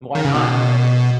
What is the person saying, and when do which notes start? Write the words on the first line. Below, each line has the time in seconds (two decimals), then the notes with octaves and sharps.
Why not, right?
0.15 D#3
0.25 C#3
0.35 B2